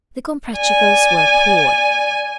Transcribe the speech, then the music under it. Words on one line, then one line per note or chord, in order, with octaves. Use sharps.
The Comprachicos were poor.
D5 G#5